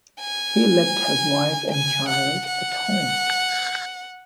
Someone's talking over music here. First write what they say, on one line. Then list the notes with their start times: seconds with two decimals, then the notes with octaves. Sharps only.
He left his wife and child at home.
0.21 G#5
1.71 G#5
2.09 F#5
2.47 F#5